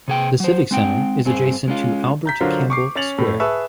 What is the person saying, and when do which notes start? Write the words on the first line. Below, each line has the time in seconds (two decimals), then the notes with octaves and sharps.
The civic centre is adjacent to Albert Campbell Square.
0.08 C3 G#4 G5
0.40 F#3 C5
0.71 G#3 C4 G5
1.25 G2 C4 G#4
1.68 G#3 C#4 F4
2.26 A#5 G6 B6
2.41 D3 F#3 D4 F4 A#4 C5
2.70 C#6 D6 C7
2.95 C#4 C#5 A6 F7 F#7
3.18 A2 A3
3.40 G#4 B4 E5 A5 C#6 E6